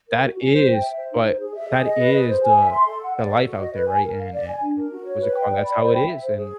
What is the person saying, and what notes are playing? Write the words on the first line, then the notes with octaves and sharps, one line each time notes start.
that is but that is the the life out there, right? And and a yeah, what's it called? That's how it is, and,
A#4
F#4
C#4
C5
G5
E5
C5
D#4
C5
G#4
E5
G#4
D#5
B4
G#4
C5
G#5
E5
C6
A4
F#5
D5
A4
F#4
D#5
B4
G#5
A#4
F5
D5
G#5
D4
A#4
F#4
C#5
B4
G5
D5
B5
C5
G5
E5
C5
G#4